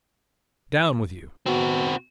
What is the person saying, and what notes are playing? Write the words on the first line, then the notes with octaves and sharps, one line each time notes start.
"Down with you!"
B2 C4 F#4